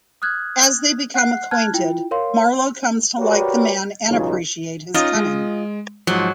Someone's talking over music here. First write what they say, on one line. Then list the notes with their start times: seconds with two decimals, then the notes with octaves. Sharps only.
As they become acquainted, Marlowe comes to like the man and appreciate his cunning.
0.22 D#6 F6 F#6 G#6
1.14 F#5 F#6 C7
1.51 A5 F6 F#6 G#6
1.74 E4 F4 G5
2.11 A#4 C#5 F5 C6
3.19 F#4 G4 A#4 B4 C#5 D5
4.08 B1 E2 C#3 F#3 D#4 F4
4.94 C#4 D#4 F4 D#5
5.15 G#3
6.07 G#2 F3 F#3